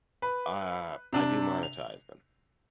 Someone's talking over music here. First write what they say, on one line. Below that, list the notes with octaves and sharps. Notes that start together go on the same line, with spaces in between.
uh, I do monetize them.
B4
C3 D4
F7